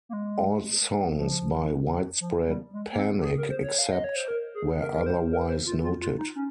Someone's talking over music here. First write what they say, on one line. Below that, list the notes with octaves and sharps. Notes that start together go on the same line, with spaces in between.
All songs by Widespread Panic except where otherwise noted.
A#3
G#3
F3
F3
G3
G#3
A#3
C4
G4
G#4
A#4
C5
C#5
F5
D#5
C#5
C5
A#4
G#4
A#4
A#4
C5
A#4
C5
F4
F4
F4
D#4
C#4